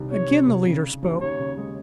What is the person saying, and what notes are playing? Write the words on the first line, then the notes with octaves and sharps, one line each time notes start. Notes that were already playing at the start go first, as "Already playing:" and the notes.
Again the leader spoke.
Already playing: C2 C3 D#3
C3 C#5
C3
C2
C#3
C#4
D#2
D#2 C#5
C#3
G#3